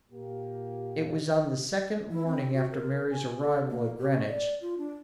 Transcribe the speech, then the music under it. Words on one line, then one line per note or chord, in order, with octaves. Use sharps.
It was on the second morning after Mary's arrival at Greenwich.
A#2 A#3 G4
E4
C4
F#4
A#4
G#5
A4
A#3
G4
C#4
D5
F4
D4